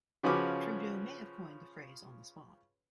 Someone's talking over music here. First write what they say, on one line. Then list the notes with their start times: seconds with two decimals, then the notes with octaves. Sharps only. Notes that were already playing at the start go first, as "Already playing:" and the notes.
Trudeau may have coined the phrase on the spot.
0.23 C#3 F3 C#4 F#4 B4 D6